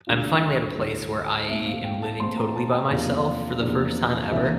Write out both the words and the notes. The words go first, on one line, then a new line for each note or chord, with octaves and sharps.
I'm finally at a place where I am living totally by myself for the first time ever.
D2 D3 G3 D4 F4
D2 D3 G3 D4
A#2 A3 C4 E5
F5
G5
A5
A#2 A3 C4 C6
A#5
A5
G5
E2 C3 F3 A#3 D4 F5
E2 C3 F3 A#3 D4
C2 C3 E3 A#3 D4 E5